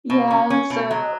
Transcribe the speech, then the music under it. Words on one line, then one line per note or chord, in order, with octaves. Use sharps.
Yeah, so,
B2
C#4
C#4
B2
F#3